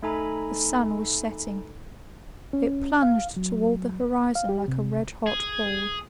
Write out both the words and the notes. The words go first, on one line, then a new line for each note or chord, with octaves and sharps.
The sun was setting; it plunged towards the horizon like a redhot ball.
A3 D#4 A4 G#5 A#5 B5
C#4
F5
F#3
F5
G4
C3
G#4